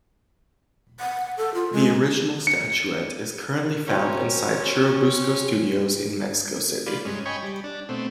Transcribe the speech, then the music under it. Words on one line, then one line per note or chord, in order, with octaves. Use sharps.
The original statuette is currently found inside Churubusco Studios in Mexico City.
F#5
A4
F4
G#3
C#7
F#3 C4 C#4
F4 B4 D5
G2 G#3 C#4
C#5 D#5 G5 G#5 B5 C#6
G3
D4
B2 A3 C4